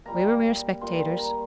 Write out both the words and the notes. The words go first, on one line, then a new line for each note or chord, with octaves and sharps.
We were mere spectators.
A#2 G3 A#3 A#5
A#2 G3 A#3 C6
C6
A#5